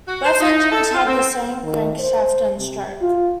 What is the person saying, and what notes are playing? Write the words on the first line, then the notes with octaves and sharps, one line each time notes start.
Both engines had the same crankshaft and stroke.
F#4
C5
D#4
A4
F4
C4
D#3
C5
C3
F4